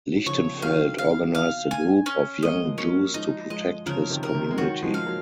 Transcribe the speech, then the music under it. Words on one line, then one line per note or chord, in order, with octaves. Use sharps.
Lichtenfeld organized a group of young Jews to protect his community.
F#3
C#3 F3 C#5
D#3 F#3 F5
F5
F5
G#5
C#4
G#3 D#5
A#3
F3 G#3
F#3 A#3 C#4
F3 G#3 D#4
F3 G#3 D#5
C#3 F3 A#4
C3 D#3
A#4
C3 D#3
G#3
D#3 F#3 F#4
F3 G#3
F5
F#3 A#3